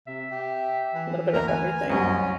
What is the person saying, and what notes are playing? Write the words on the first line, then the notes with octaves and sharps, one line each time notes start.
a little bit of everything.
C3 E5
G4
E3
D2 A#4 A#5
G#5
C2 F#2 C#4 D#5